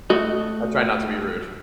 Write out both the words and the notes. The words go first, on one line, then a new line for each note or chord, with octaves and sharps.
I try not to be rude.
A3 F#4 D#5